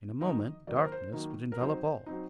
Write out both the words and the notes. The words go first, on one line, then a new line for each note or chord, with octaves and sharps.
In a moment darkness would envelop all.
D#3 F#3 A#3 D#4 D#5
D#3 F#3 A#3 D#4 D5
C5
A#4
C5
D#3 F#3 A#3 D#4
A#4
F#3 C4 D#4 C5
F#3 C4 D#4